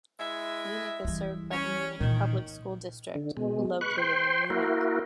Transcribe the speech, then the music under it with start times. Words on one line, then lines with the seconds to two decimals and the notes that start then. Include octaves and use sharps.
Munich is served by the Munich Public School District, located in Munich.
0.20 G#3 E4 E5
1.05 E3 G3
1.51 C#4 C#5
2.01 A#2 D#3 E3
3.15 D3
3.37 B2 G#3
3.81 B4 C#6 F#6
3.98 C5 G5 C6
4.50 A#3 E4 F#4 A#4